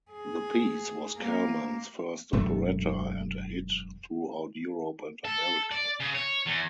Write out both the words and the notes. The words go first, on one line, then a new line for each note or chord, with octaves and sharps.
The piece was Kalman's first operetta and a hit throughout Europe and America.
G#4
A#3
E1 F#2 A3
A4
D5
C#3
C#5
E2